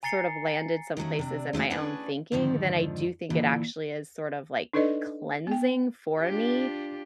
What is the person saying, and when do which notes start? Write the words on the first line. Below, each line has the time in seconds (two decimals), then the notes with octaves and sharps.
sort of landed some places in my own thinking, then I do think it actually is sort of, like, cleansing for me
0.03 G#5 A#5 A6 C7 C#7 G7
0.97 D#3 F#3 A3 C#4
1.19 C3 D4
1.53 G#3 A3 E4 F#4
1.70 C#4 D4 G#4 A4 B4
2.32 F2 G#2 D3 D#3 F3
3.30 A#2 D3 E3
4.73 D4 D#4 A4 B4 D5 D#5
5.47 B3 G5
6.20 D4 F4 G4